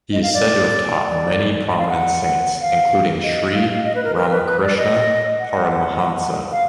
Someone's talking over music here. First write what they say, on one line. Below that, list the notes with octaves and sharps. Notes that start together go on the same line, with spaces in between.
He is said to have taught many prominent saints, including Sri Ramakrishna Paramahansa.
D#5
F5
D5
D5
D#5
F5
F#5
F5
D#5
F5
F5
D#5
B4
A#4
A#4
B4
B4
D5
D#5
F#5
F5